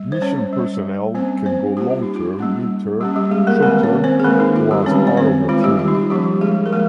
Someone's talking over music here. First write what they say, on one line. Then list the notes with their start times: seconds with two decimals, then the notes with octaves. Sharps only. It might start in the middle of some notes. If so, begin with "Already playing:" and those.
Mission personnel can go long-term, mid-term, short-term or as part of a team.
Already playing: G3
0.12 C5
0.22 C#4 C#5
0.53 G3 C#4
1.15 G3 A#3 C4 C#4 C5
1.46 C4 C5
1.77 G3 A#3 C#4 G4
1.90 F4
2.03 D#4
2.16 F4
2.39 G3 A#3 C#4
3.01 G3 A#3 C#4 G4
3.16 G3 G4
3.31 G#3 G#4
3.47 A#3 A#4
3.62 D#3 G#3 A#3 C4 A#4
3.83 C#4 C#5
4.04 C4 C5
4.20 G#4
4.24 D#3 G#3 A#3 C4 A#4
4.40 D#4
4.56 F4
4.71 G3 G4
4.86 D#3 G#3 C4 C#4 C#5
5.07 C#5
5.17 C4 C5
5.48 D#3 G#3 C4 F4
5.64 G3 G4
5.79 F4
5.88 D#4
5.95 F4
6.10 F3 G3 A#3 C#4 G4
6.41 G#3 G#4
6.66 A#4
6.72 F3 G#3 A#3 G#4